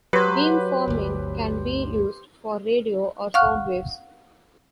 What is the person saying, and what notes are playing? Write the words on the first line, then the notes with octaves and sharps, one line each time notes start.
Beamforming can be used for radio or sound waves.
F#3 G4 B4 C5
G1 D2
F5 F#5 C#6 F6 F#6